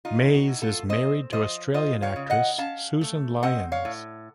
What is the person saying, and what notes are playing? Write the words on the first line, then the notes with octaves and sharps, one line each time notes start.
Mays is married to Australian actress Susan Lyons.
D#4 F4
F#4
A2
F4 A4
C4 C5 D#5
F3 C5 D#5
F4 C5 D#5
C#5 F5
C#3
D#5 F#5
C#4 F5 A5
A3
C4 D#5 F#5
C#5 F5
A2